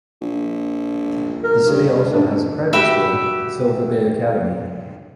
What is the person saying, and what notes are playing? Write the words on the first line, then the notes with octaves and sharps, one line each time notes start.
The city also has a private school, Sylva-Bay Academy.
A#1
A#4
G2 G3
D#1 D4
F#4 G4 E5 B5